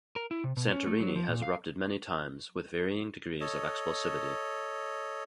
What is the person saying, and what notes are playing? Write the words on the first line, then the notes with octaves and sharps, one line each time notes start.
Santorini has erupted many times, with varying degrees of explosivity.
A#4
E4
C3
B2
C#4
A3
F#3
F3
A#2
F5
A4 C#5 D#5